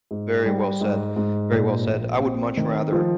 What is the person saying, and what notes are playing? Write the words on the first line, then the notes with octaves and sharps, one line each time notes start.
Very well said, very well said. I would much rather
G#2
G3
G#2
G#2
A#2
A#1
C4
D#3
F3